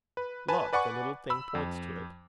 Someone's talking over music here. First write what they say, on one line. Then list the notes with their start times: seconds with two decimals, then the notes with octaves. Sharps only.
"Look, the little thing points to it."
0.17 B4
0.48 B4 G#5 A5
0.73 B4 D5 F#5 G#5 C#6
1.30 B5 E6
1.55 F2